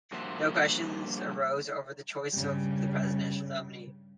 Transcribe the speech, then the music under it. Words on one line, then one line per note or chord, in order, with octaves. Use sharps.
No questions arose over the choice of the presidential nominee.
G2 F3 A#3 F#4 C5 E5
G2 C#3 G3